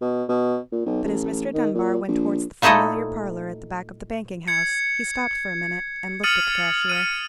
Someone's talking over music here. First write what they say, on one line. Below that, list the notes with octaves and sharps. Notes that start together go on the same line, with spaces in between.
But as Mr. Dunbar went towards the familiar parlour at the back of the banking-house, he stopped for a minute, and looked at the cashier.
B2
B2
A#2
B1
A1
D#3
A#2
A#1
A#2 A3 D#4 E4 A4 D#5
G#6 C#7
D#6 F6 A6 C#7 D#7 F#7
F6 D#7